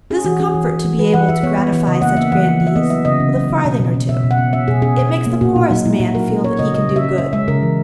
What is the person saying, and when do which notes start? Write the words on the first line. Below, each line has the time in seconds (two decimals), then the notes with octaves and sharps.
It is a comfort to be able to gratify such grandees with a farthing or two; it makes the poorest man feel that he can do good.
0.10 C#4 G#4
0.25 E3 F#4
0.40 C#4 G#4
0.55 E3
0.69 E3
0.85 E3
0.99 E3 B4
1.14 E3 F#5
1.29 E3 E5
1.43 B3 C#5
1.58 B3
1.73 E3
1.87 C#3 D#5
2.02 A#3 F#5
2.17 A#3 E5
2.32 E3 F#5
2.47 E3
2.61 E3
2.67 E5
2.76 B3 D#5
2.90 F#3 E5
3.05 C#3 D#5
3.20 C#3
3.35 F#3
3.50 C#3
3.65 B2
3.79 B2
3.94 C#4
4.09 B2 E5
4.23 B2
4.31 F#5
4.38 C#4
4.53 C#4 E5
4.68 B2 G#4
4.82 C#4 G#4
4.97 B2
5.12 C#4
5.27 A#3
5.41 A#2 F#4
5.56 A#2 D#4
5.71 F#3 D#4
5.85 F#3 E4
6.00 A#2 F#4
6.15 F#3 A#4
6.29 C#4
6.44 C#4 C#5
6.59 C#3 D#5
6.74 C#3 D#5
6.89 C#3
6.96 E5
7.03 C#4
7.18 C#4 E5
7.33 G#3 E5
7.48 C#3 A#4
7.62 E3